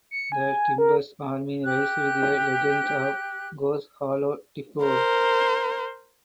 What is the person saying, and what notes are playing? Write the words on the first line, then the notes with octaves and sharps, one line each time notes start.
The Timbers Army raised their "Legends of Goose Hollow" tifo.
C#7
G#5
A#4
G4 F#6
A#4 C5